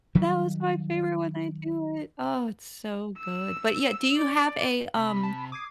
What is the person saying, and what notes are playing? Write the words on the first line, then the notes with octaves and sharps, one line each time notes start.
That was my favorite when I do it. Oh, it's so good. But, yeah, do you have a, um,
D#3 F#3 G3
E6
D5
C3 B5
A5
D6 D#6 G#6 C7